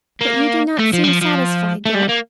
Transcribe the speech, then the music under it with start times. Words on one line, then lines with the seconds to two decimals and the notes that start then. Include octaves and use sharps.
But you do not seem satisfied yet?
0.21 A#3
0.79 A3
0.93 F3
1.04 G3
1.08 F3
1.22 F3
1.85 A3
1.95 G3
2.09 A#3